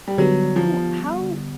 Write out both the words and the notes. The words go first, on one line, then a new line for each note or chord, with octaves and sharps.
Oh, how
G3
D3 F#3 G3 B3
F3